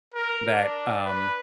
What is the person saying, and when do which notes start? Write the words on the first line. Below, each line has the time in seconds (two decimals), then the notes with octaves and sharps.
that, um
0.14 A#4
0.53 D4
1.05 B4